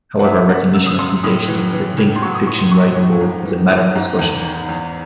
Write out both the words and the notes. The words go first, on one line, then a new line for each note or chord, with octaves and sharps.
However, recognition of sensation as a distinct fiction-writing mode is a matter of discussion.
F#5
F#3 E5
F#2 F#5
C#3 E6
D#6
F#2 C6
A2 D#6
E3
E3
A2
C6
F#3 C#6
D#6
A2 C#6
C6
F#3 C#6
A2
G#2
E3
E3 D#6
G#2
E2
D#3
E2